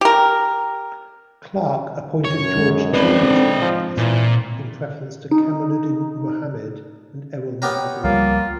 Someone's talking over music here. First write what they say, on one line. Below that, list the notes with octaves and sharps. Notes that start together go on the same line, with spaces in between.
Clarke appointed George Chambers Prime Minister in preference to Kamaluddin Mohammed and Errol Mahabir.
G4 A#4
F#2 C#5
G#3
C4 D#4 B4 D5
D3 C4
F3
A#2 E3
D#4
B3 G4 A#4 C#5
C#2 F3 G3 A#3 F4